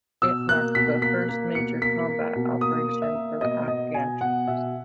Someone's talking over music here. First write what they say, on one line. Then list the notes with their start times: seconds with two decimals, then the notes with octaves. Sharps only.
It marked the first major combat operation for the Afghan troops.
0.22 B2 E6
0.49 A#3 F#6
0.75 B2 B6
1.02 A#3 B6
1.29 A#3
1.55 B2 C#7
1.82 A#3 B6
2.08 A#3
2.35 B2
2.61 A#3 D#6
2.88 A#3
3.02 E5
3.15 A#3
3.41 B2 D#5
3.68 B3 D#5
3.94 B2 G#5
4.21 B3 F#5
4.48 B2 E5